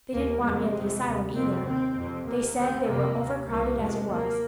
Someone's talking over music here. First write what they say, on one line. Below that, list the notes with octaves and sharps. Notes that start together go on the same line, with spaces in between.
They didn't want me at the asylum, either; they said they were over-crowded as it was.
D#2 A#3
F2 C3 G#3
F2 C3
D#2
F2 C3 C4
D#2 C4
F2 C3
D#2 A#3
D#2 C4
F2 C3 A#3
D#2
C2 C3 A#3
F2 C3 G#3
D#2 A#3